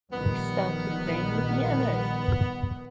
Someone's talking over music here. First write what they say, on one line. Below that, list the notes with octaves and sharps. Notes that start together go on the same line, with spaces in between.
I started playing the piano.
A#1 D#3 G3 B3